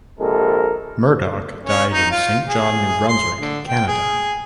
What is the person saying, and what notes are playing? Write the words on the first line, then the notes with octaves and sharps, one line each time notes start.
Murdoch died in Saint John, New Brunswick, Canada.
A#1 C3 G#3 A4 A#4
C#4
D#4
F4
G#4
C6
D3
G5
G#4